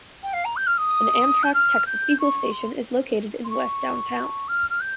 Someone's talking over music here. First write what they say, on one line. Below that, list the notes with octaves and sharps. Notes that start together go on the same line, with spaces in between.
An Amtrak "Texas Eagle" station is located in west downtown.
G5
F5
A#5
G6
F6
D#6
G6
F6
G6
C#6
C6
C6
C#6
F6
F6
G6